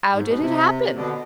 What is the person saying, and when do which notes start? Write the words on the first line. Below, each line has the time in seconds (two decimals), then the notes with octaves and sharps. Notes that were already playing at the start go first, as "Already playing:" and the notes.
"How did it happen?"
0.13 G#2
0.27 B2
0.40 C3
0.95 B2 D3